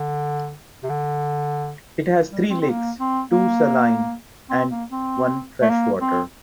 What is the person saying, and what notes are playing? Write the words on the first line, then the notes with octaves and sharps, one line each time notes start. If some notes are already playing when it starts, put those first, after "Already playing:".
It has three lakes, two saline and one freshwater.
Already playing: D3
C3
D3
G3
C4
C4
A#3
C4
A#3
C4
A#3
C4
A3
A#3
C4